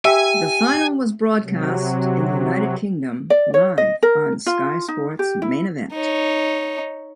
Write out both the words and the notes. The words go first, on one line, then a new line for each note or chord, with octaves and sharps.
The final was broadcast in the United Kingdom live on Sky Sports Main Event.
G4 E5 G5 G#5
C3 F#3
D5
C#5
D#5
A#4
F4
D#4
G4
E4
D#4 C#5